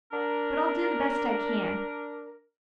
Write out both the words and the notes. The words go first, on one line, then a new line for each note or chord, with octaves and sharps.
But I'll do the best I can.
D4 A#4